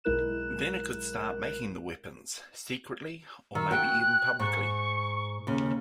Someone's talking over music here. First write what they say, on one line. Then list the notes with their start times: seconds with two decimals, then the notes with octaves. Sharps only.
Then it could start making the weapons - secretly or maybe even publicly.
0.04 B1 G#3 E4 A#4 F#6 E7
3.55 D#3 E6
3.71 F#4 G5 F#6
4.39 G#2 C#6
5.47 D#2 C#3